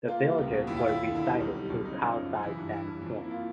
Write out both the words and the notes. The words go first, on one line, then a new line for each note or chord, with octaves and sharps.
The villagers were resited to Kau Sai San Tsuen.
A#3 F4
G3
C#2
B2
D#2 E4
F4
D#2
E4
D#2
D3 E4
G3 D#4
B1
G3
B1
C#3 D#4
F3
F#2
C#3
D#4
E3 E4
G2
G2 E4
G2
F2
A#3
E4
A#3 F4